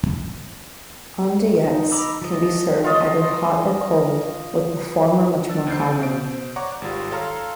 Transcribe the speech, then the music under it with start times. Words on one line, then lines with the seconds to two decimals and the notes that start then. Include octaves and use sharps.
Andouillettes can be served either hot or cold, with the former much more common.
1.65 D#4
1.92 D#5 A#5 B5 D6 E6
2.21 F3 D#5
2.84 F4 C#5 D#5
5.48 D4 E6 A6
5.67 D2 C4 D5 G6 C7
6.00 B2 C5 D7
6.56 C#5 D5 F#5 A#5 C#6 D6
6.82 G#1 G3 F4
7.11 A4 C#5 F5 A#5 C6 F6